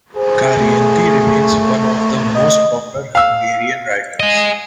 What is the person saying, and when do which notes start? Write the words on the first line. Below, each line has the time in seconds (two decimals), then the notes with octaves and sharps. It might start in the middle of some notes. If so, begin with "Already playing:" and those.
Karinthy remains one of the most popular Hungarian writers.
0.16 G#4 C5
0.57 A3
2.35 D#5
3.15 F5 E6
4.20 G#4 D#5